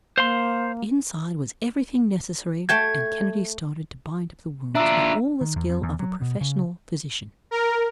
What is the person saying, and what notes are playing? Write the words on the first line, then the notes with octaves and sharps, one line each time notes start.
Inside was everything necessary and Kennedy started to bind up the wounds with all the skill of a professional physician.
A#3 C5 F5 C6
A3 G5 A5 G#6
D4 F4 E5 A#5 E6
D#3
E2
F2
E2
F#3
B2
C#3
A#4